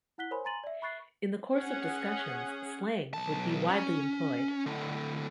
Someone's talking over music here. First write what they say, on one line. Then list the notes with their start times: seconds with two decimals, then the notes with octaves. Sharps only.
In the course of discussions, slang would be widely employed.
0.18 E4 F#5 F#6 B6 G7
0.31 A#4 C5 C#5 G#5 B5 C6
0.45 G#5 A#5 C6 A6 D#7 F#7
0.64 D5 E5
0.81 E5 B5 C#6 F#6 A6 C7
1.53 C#4 G#4 F#5
3.14 B1 A5
3.70 C#4
4.66 A2 D3